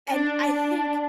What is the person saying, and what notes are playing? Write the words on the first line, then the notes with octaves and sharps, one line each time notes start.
and I think
D4
D4